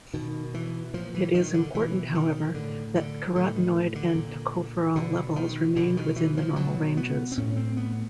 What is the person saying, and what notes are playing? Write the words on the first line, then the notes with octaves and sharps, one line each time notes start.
It is important, however, that carotenoid and tocopherol levels remained within the normal ranges.
B2 D#3
E3
A#2 F3
E3
D#3
D3
B2 E3
D#3
A2 D3
D3
A2 D3
D#3
D3
A#2
B2 D3
D#3
B2 D3
D#3
E3
F3
B2 F#3
B3
C4
A2 C#4
C4
B3